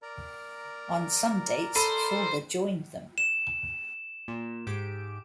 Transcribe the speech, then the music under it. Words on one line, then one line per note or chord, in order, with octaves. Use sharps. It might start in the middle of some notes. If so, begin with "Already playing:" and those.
On some dates, Fulber joined them.
A#4 D5 A#5
A4 C5 B5 D#7
E7
A#2
G#2 G4 D7